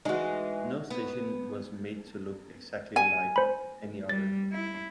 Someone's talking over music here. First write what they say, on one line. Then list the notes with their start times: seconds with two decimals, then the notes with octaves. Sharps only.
No station was made to look exactly like any other.
0.05 E3 G#3 D#4 F#4
0.90 B3
2.96 G#5
3.36 C5 B5
4.09 G3 A6
4.52 E4